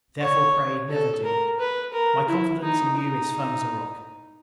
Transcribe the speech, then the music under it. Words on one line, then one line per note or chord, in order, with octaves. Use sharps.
Therefore, pray, never do; My confidence in you is firm as a rock.
C#5
A4
A#4
B4
A#4
E4
D#4
D#4